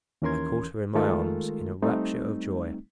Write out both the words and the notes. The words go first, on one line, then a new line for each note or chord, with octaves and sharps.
I caught her in my arms in a rapture of joy.
D#2 E3 C#4 A#4 C6 G#6
D#3 G#3 A3 F4 A4 A#4
G3 A3 C4 D#4